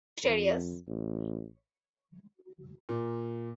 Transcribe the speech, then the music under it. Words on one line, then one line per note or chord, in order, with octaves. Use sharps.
Nowadays the creation of town and parish councils is encouraged in unparished areas.
F2
A1
A#2